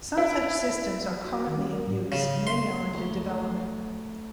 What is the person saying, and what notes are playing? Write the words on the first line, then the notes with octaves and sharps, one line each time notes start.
Some such systems are currently in use, and many are under development.
E4
F#4
D#3
C#4
A#4
G#2
C#3
C6
D2